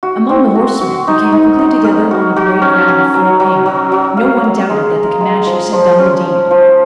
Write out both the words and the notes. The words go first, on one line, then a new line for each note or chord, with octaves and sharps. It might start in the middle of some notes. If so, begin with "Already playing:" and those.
Among the horsemen, who came quickly together on the parade ground of Port Inge, no one doubted that the Comanches had done the deed.
F#4
C4
F#4
F#4
D#4
D#4
D#4
A#4
F#4
F#4
C#4
C#4
F#3
F#3
F#3
F#3
F5
F5
G#3
A#4
G#3
F3
F3
C#4
F3
F3